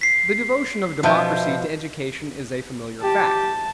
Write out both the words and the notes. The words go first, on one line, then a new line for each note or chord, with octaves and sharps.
The devotion of democracy to education is a familiar fact.
B6 C7
B2 F3 B3 E5 A5 G6
G4 A5